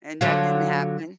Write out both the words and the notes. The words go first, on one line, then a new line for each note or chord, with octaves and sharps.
And that didn't happen?
D3 F#3 F4